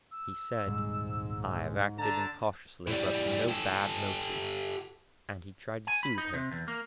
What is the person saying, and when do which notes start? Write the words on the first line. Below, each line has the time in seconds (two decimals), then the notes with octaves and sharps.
He said, 'I have acted incautiously, but from no bad motive,' and he tried to soothe her.
0.11 E6
0.67 D#1 C2 G#2 G3
1.98 D3 A5 A#5
2.87 A2 G3
3.48 G4 A4
5.87 G#5
6.03 B5
6.18 D#4
6.34 C3
6.52 E2
6.68 A#3